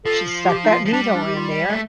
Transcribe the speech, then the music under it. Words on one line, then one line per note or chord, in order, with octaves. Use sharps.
she stuck that needle in there.
F3 A4
F4
G4
D#4
F4
F3
G3 D4
D4
G4
F4
A3